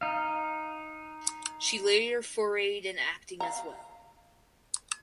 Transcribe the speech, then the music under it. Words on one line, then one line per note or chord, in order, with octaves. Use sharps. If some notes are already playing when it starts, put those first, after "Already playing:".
She later forayed in acting as well.
D#4 F5
F5 A#5